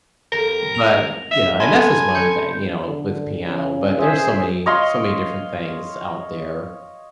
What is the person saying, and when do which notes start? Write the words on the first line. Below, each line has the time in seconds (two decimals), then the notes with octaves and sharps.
but, uh, you know, and that's just one thing, you know, with piano, but there's so many so many different things out there,
0.32 F2 G4 A#4 A#6
0.75 F7
1.31 E5
1.60 C#3 F3 A4 G#5 A5 B5 C6
2.15 F2 G6 C#7
2.86 D3
3.38 C#3
3.98 G#4 C5 E5
4.66 C#5 D#5 F5 C6